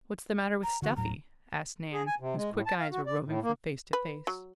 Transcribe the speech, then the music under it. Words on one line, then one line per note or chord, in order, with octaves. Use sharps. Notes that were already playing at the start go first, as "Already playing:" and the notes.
"What's the matter with Stuffy?" asked Nan, whose quick eyes were roving from face to face.
A#5
D3 E3 F#4
D#1 A2 F#3 A#5
G#4
G#5
C3
G#3
A2
A5
F5
F#4
D5
A2
A#3
B4
F#3